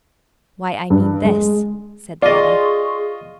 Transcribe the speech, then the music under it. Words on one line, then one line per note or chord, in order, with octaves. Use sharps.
"Why, I mean this," said the other.
G2
G#3
F4 G#4 D5 D#5 C6 C#6